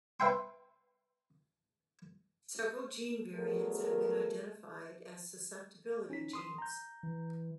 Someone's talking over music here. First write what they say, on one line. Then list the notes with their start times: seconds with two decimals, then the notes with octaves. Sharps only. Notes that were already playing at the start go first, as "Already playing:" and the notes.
Several gene variants have been identified as susceptibility genes.
0.20 B4 E5 G5 C6
3.34 E2 F#3 A3 G#4 A#4
6.10 C#4 D#4 B6
6.33 C6 D#6
6.58 A#5 G6
7.03 E3